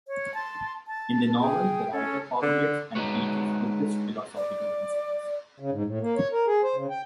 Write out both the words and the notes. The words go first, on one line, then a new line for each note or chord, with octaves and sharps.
In the novel the writer formulates and preaches Buddhist philosophical principles.
C#5
A5 C6
A5
G#4 G5
C#4 A4 C#5
D3
G#3 D#4 F4 F#4 B4 C#5
D5
C#3
G#2
A2
A#3
C#5
A#4
G#4
C5
C#3
G5